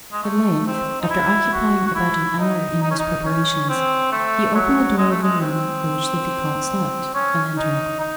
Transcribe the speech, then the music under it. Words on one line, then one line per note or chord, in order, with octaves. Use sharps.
At length, after occupying about an hour in these preparations, he opened the door of the room in which the vicomte slept, and entered.
G#3
A3
C4
D#4
E4
F#4
F#4
E4
D#4
D#4
C#4
D#4
C#4
C4
A3
F#3
G#3
A3
G#3
C4
C#4
D#4
D#4